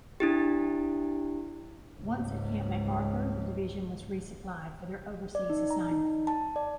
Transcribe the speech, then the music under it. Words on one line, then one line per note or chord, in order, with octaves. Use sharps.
Once at Camp MacArthur, the division was resupplied for their overseas assignment.
D4 E4 G4
C#2 G#2
D5
D#4
A#5
D#4
A5
D5